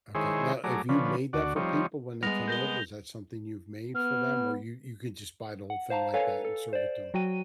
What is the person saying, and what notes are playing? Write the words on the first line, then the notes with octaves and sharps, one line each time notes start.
Okay, now have you made that for people when they come over? Is that something you've made for them? Or you you could just buy the whole thing like that and serve it to 'em?
D#3 G#3 E4 G#4 C5 C#5
F#3 A3 G#4 A#5 D6
D3 F3 C#4 B4
D2 F#4 D5
F3 G3 C4 D#4 C#5
G3 G#3 B3 A#6 F7
A#4 G6 A#6 G7
B3 F6
F#5
C5 F5 A5 A#5
A4 B4 C#5 F5 G#5
A4
C5 D5
F#3 F#4 G5 D#7